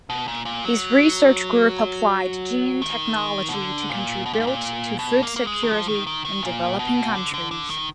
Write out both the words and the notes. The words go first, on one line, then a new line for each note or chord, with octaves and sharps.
His research group applied gene technology to contribute to food security in developing countries.
B2
A#2
A#2
F#3
D#3
B2
D3
A#2
B2
A#2
G#2
A#2
B2
A#3
A#3
G#3
D#3
F3
D#3
D#3
D#3
A#2
B2
D3
D3
D3
D#3